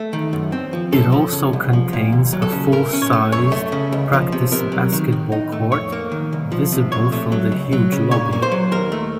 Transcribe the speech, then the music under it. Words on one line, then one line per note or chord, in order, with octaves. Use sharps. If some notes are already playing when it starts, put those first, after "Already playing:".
It also contains a full-sized practice basketball court, visible from the huge lobby.
Already playing: A3
D#3
F#2
C4
F3
F#2 A4
F3
C#3
C2
F3
A#2
D#2
F#3
A4
C#3
A2 A#4
C#4
C#5
A3
F#2 C#5
A3
C#3
C#2
F3
C3
C3 A#4
F#3
D#3
A2
D#4
A3
F2 C#5
A#3
D#3
C2
F3
C3
A#2 C#5
A3
F#3
C#2
F#3
C#3
A#2 C#5
A#3
C5
F#3
D#2 A#4
A3